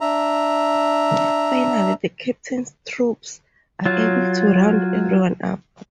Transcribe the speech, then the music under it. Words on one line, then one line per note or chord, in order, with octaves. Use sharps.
Finally, the Captain's troops are able to round everyone up.
D4 E5 A#5
F#3 F4